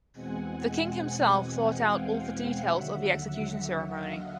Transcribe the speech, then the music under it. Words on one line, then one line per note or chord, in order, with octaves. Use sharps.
The king himself thought out all the details of the execution ceremony.
E2 B2 G#3 C4 F#5 G#5
F#5 G#5
F#5 G#5
F#5 G#5
F5 G5
F5 G5
F5 G5
D#2 D3 F#3 E5 F#5
D#5 F5